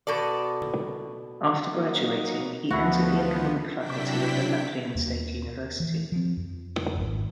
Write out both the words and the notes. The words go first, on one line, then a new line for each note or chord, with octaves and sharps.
After graduating, he entered the economic faculty of the Latvian State University.
B2 A4 D5
F#3 A#3 D#4
D2 F3 A3 B3 E4 F#4
C3 F#3 D4 E4 G5 B6
D#2 A#3
E3
F3 C4
F2
G#1